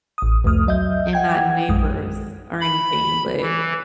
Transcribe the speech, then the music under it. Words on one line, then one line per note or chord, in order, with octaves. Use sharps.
And not neighbors or anything, but
A1 D#6
C2 F2 A3 D#6 F6
F#3 D#5 E5 G6
F#5 G5 G#6
A#1 F#2 G#3 D#6
B5
E3